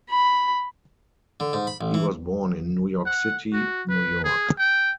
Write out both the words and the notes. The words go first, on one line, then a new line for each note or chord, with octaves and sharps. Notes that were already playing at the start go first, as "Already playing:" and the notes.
He was born in New York City, New York.
B5
D3
G#2
B5
A1
E3
F#5
F#4
B4
G#4
G5